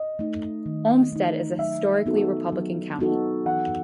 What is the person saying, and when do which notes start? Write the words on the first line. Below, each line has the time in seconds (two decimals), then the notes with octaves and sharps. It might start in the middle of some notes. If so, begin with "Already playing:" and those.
Olmsted is a historically Republican county.
Already playing: D#5
0.19 A3 D#4
0.66 D#3
1.12 A3 D#4
1.59 F#3 E5
2.06 B3 D#4 F#4 A4
2.52 F#3
2.99 B3 D#4 F#4 A4
3.46 E3 F#5